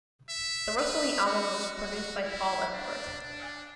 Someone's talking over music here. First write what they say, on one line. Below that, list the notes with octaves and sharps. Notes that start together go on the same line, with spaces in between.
The rest of the album was produced by Paul Epworth.
E5
B4
F#4
F#4
E4
D4
D4